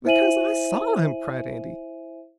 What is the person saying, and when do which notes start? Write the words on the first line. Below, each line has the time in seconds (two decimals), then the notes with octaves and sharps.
"Because I saw 'em!" cried Andy.
0.05 E4 C5 E5 G#5 D#7 F#7